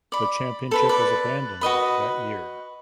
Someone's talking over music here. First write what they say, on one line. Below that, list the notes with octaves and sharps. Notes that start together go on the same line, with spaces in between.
The championship was abandoned that year.
D5 B5
A4 B4 B5
B4 D5
F#4 B4 D#5 B5